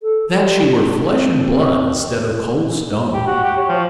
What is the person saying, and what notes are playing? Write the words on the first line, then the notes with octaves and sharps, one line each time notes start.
That she were flesh and blood, instead of cold stone!
A4
G3
C4
G4
F#4
G4
C#5
F3